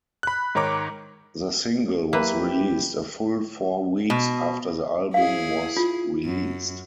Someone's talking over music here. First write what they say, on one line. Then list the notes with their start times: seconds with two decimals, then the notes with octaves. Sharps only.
The single was released a full four weeks after the album was released.
0.23 B5 F#6
0.55 G#2 D#3 C#5 A#5 D6
2.13 F#3 A#3 E4 G4 B4 E5
4.10 B2
5.14 E4 G#4 F5
5.77 F4
6.25 F#2